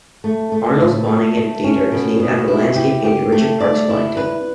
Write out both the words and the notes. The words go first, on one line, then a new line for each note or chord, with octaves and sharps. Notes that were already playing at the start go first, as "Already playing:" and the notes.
Arnold's Bonington Theatre is named after the landscape painter Richard Parkes Bonington.
A3
A3
A2
A3
A3
C#4
B2
B2
E4
G4
G4
A3
D5
E4
B4